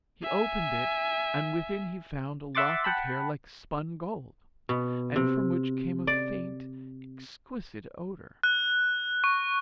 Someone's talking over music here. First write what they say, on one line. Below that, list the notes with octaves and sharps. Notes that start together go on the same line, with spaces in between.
He opened it, and within he found a lock of hair like spun gold, and from which came a faint, exquisite odour.
E5 G#5
E5 F#5 C6 D6 A6
F#5 G5 A5 B5
B2
C3
D5
F#6
C#6